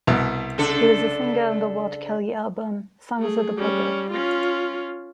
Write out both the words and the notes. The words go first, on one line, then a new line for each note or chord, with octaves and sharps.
He was a singer on the Walt Kelly album "Songs of the Pogo".
C2 B2
C#3 D4 A4
A3 G#4
G3 C#4
C#4 F4